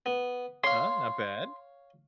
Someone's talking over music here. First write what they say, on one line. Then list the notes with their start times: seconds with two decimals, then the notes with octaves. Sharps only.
Uh, not bad.
0.06 B3
0.64 C#5 F5 C6